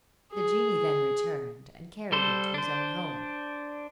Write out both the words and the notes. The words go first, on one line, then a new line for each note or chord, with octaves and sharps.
The genie then returned, and carried him to his own home.
G#4
G3 A4 C5
D4 C5